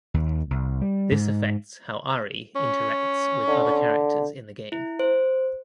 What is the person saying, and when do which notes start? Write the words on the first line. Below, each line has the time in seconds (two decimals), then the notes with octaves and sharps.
This affects how Ari interacts with other characters in the game.
0.14 D#2
0.50 C2
0.81 G3
1.12 G#2
2.55 C#4
3.48 D3
4.72 E4
4.99 C5